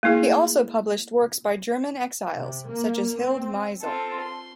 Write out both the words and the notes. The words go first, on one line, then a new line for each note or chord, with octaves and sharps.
He also published works by German exiles, such as Hilde Meisel.
A3 A#3 E4 G#4
C3
A#3
C4
C4 F4 A4
C6